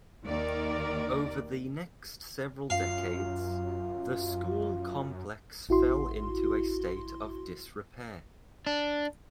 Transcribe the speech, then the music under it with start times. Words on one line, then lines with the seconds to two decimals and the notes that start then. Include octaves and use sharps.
Over the next several decades, the school complex fell into a state of disrepair.
0.25 D#2 D#3 A#3 A#4 D5
2.70 F#2 F4 F5
5.69 A1 E4 F#4 C6
8.67 D4